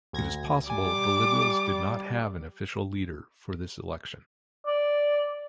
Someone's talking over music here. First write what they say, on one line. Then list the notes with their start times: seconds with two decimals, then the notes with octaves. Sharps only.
It is possible the Liberals did not have an official leader for this election.
0.13 D2 G#6 A#6
0.70 G3 G#5 D6
4.67 D5